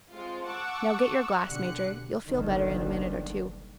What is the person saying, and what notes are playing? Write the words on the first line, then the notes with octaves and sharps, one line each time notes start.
"Now get your glass, Major. You'll feel better in a minute or two."
G#3 C4 F4
F#5 A5 C#6 D6 E6
B1 D3 G4 F#6 C#7
F#1 B1 D3 D#3 G3